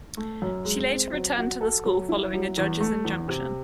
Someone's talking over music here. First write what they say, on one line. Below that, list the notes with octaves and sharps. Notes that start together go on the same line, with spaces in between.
She later returned to the school following a judge's injunction.
A3
F#2
G#3
C4
F#3
F#4
A4
F#3
E4
F#3
E2
A3
E2
C3